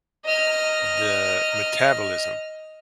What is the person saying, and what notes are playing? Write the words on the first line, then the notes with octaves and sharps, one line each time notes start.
the metabolism.
D#5 F6